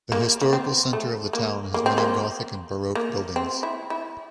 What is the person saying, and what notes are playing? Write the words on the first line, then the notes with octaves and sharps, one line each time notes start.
The historical centre of the town has many gothic and baroque buildings.
A#3
A#3
C4
A3
A#3
A#3
C4
A#3
A#3
C4
E4
E4